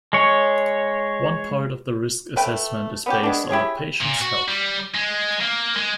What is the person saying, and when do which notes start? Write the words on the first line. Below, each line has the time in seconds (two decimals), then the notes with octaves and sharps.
One part of the risk assessment is based on the patients' health.
0.13 G#3 C#5
2.36 A3 B4 G5
3.06 B3 C#4 G4
3.23 G#3 B3 D4
3.49 E4 G4 G#4 C#5
4.01 A#2
4.21 F#4
4.48 G3
4.94 G#3
5.41 A#3
5.77 G#3